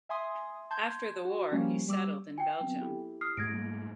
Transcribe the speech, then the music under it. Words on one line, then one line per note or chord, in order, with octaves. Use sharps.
After the war he settled in Belgium.
E5 G#5 C6 D#6
A5 C6 G6 G#6
F#4
F3 G3 A#3 C#4
G3 D6 E6
F4 G5 G#5
F#3 B3 C4
E4 G4 A4
D#6 F6 C7
G#2 A3 G#6 A#6 D7
G3 A#3